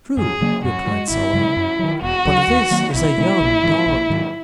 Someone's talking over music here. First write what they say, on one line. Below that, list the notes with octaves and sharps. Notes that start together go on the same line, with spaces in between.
"True," replied Solomon, "but this is a young dog."
F#2 G#4
C#3 F#3 A#3
F#2 F#4
E3
G#3
G#1 E4
F#2 C#3 G#3
F#2
D#3 F#3
E1 F#4
D#2 D#3 F#3
D#2
D#3 F#3 A#3
B1 E4
B2 G#3
A#1
G#2 E3
A#1
G#2 D#3 F#3